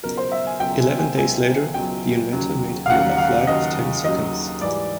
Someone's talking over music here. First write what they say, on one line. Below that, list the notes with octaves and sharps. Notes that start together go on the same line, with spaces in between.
Eleven days later, the inventor made another flight of ten seconds.
C#2 B2 F#3 A#4
C5
E5
G#5
C#2 B2 F#3 G5
G#5
G#5
C#2 B2 F#3 G#5
C#2 B2 F#3 G5
D#2 C#3 F#3
F5
D#2 C#3 F#3 F#5
F5
D#2 C#3 F#3 D#5
D#2 C#3 F#3 D#5
G#2 E3 G3 D5